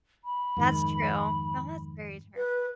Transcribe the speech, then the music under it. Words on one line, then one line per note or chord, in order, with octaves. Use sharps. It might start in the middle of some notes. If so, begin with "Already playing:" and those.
That's true. No, that's very true.
B5
F2 G#2 D#3
B4